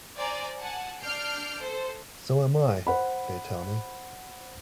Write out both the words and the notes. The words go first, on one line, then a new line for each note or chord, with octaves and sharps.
So am I, they tell me.
C5 D5 G#5 A#5
F#5 G#5 A5
D4 F6 G6 C7 D7
A4 C5
C5 F#5 B5